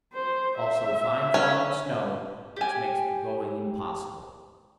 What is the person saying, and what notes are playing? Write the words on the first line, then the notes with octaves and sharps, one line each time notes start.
Also fine falling snow, which makes the going impossible.
C5
E5
C#4
G4 G#5